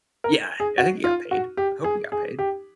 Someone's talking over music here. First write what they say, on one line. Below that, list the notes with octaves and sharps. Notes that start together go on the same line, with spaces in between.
Yeah! I think he got paid. I hope he got paid.
A#4
G#4
F#4
F4
F#4
G4
G#4
G#4
G4